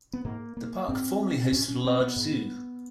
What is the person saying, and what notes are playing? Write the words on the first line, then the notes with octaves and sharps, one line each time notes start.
The park formerly hosted a large zoo.
B3
G#2 A#3
A#3
G#2 C4
G#2 C#4
C#4
C4
B3
G#2